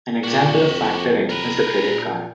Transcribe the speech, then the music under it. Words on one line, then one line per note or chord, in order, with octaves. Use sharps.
An example of factoring is the credit card.
A#2 F#4 G4
F2
A#4 B4
A#2